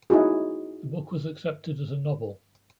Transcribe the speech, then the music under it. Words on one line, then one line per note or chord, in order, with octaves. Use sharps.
The book was accepted as a novel.
D#4 E4 F#4 G#4